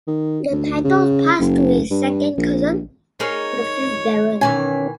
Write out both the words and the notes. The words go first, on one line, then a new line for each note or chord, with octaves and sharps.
The titles passed to his second cousin, the fifth Baron.
D#3
D2
C#3
F#1
G2
A#1
D#4 G#4 A#4 C#5
B2 D#3 E3 C#4 G#5